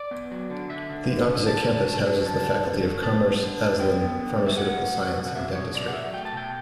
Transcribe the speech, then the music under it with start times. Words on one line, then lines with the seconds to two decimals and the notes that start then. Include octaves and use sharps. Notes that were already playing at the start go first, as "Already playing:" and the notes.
The opposite Campus houses the faculty of Commerce, Alsun, pharmaceutical Science and Dentistry.
Already playing: D5
0.11 B3
0.31 F#3
0.50 D3
0.70 D3 E5
0.89 D3
1.09 D3
1.27 D3
1.47 D3 A5
1.67 D3
1.86 F#3
2.06 F#3
2.25 D3 A5
2.44 D3
2.64 D3
2.83 F#3
3.03 B3 A5
3.22 G3
3.41 D3
3.61 D3
3.80 B3 G5
4.00 B3
4.19 D3
4.38 G3
4.46 E5
4.57 A3 F#5
4.77 F#3
4.96 F#3
5.16 B2
5.27 F#5
5.35 F#3 E5
5.55 B2 C#5
5.75 F#3 D5
5.88 F#5
5.93 F#3 E5
6.13 A3 G5
6.25 A5
6.32 B2 G5